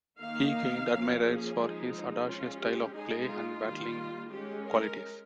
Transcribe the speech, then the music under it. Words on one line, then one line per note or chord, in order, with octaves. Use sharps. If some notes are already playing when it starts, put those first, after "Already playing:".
He gained admirers for his audacious style of play and battling qualities.
D#3 A#3 D#4 F5
F3 A#3 C#4
G#4
F3 G#3 D#4
G#3 C#4 F4
G4
G#3 D#4 G#4
F4
D#3 G3 A#3
G#3 C#4 G4
A#4